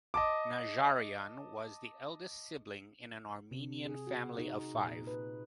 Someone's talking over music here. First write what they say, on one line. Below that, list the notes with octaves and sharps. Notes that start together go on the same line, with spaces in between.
Najarian was the eldest sibling in an Armenian family of five.
D#5 A5 D6
C3
G#4
F#4
D#4
A#2
B4